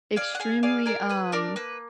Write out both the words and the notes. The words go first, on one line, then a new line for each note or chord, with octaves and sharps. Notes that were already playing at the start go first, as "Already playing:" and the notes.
extremely um
G#4 D5 F5
F#5
G#4 F5 G#5
G#4 D5 F5
G#4 A#4 D5
G#4 B4
D4 A#4 D5
A#3 B4